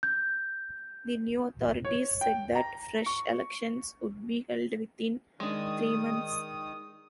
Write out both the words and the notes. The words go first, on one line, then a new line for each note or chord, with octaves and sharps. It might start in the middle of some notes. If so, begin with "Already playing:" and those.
The new authorities said that fresh elections would be held within three months.
G6
C#5
G5
A#5
C#6
D#3 G#3 D4 D#6